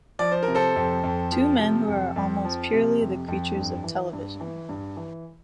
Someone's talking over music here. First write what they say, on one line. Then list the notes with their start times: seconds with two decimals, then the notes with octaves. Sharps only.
Two men who are almost purely the creatures of television.
0.19 F3 D5
0.32 C5
0.43 A#4
0.48 C3
0.55 A4 C5
0.76 F2
1.03 F2
1.32 F3
1.59 C3
1.88 F2
2.16 F2
2.45 F3
2.73 C3
3.01 F2
3.28 F2
3.56 G2
3.84 E3
4.13 G2
4.41 E3
4.69 G2
4.97 E3